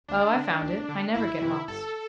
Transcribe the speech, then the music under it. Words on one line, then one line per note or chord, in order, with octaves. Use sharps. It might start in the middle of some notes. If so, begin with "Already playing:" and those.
"Oh, I found it, I never get lost."
D2 D4
D3
D2
D3
G1 E4
F2 C3 E3
G1 A4